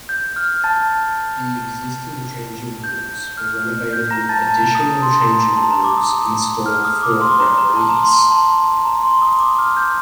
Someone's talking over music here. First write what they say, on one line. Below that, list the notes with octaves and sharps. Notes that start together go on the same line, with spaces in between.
The existing changing rooms were renovated with additional changing rooms installed for the referees.
G6
F6
A5 A6
G6
F6
G6
A#5 A#6
A5 A6
A5 A6
D#6
C6
A#5
A#5
A5
A#5
D6
D#6
F6
D#6
D6
C6
A#5
A#5
A5
A#5
C6
A5
A#5
C6
D#6
D6
F6
G6